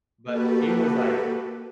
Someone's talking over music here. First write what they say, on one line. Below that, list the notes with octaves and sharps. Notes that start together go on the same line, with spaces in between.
but she was, like,
A#3 F#4 G4 A4 B4